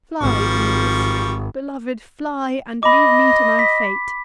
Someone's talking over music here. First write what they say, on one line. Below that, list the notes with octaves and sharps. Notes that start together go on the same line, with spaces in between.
Fly, dearest!--beloved, fly! and leave me to my fate!'
G#1 F3 G3 C#6
D#5 B5 D6
B6